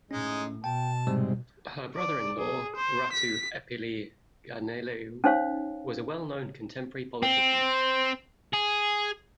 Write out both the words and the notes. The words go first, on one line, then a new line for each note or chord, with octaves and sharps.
Her brother-in-law, Ratu Epeli Ganilau, was a well-known contemporary politician.
A2 G#3 C#4 D#4
B2 G5 A5
G#2 C3 G3
D5
G#4
C5
B6
C#4 D#4 C5 C#5 F5
C4
G#4